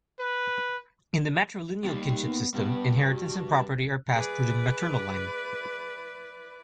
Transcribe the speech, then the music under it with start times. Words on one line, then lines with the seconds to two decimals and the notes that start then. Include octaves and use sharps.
In the matrilineal kinship system, inheritance and property are passed through the maternal line.
0.19 B4
1.84 D#2 G3
2.26 B3
2.54 G2 B3
3.05 F#4
4.15 E4 G#4 B4 D5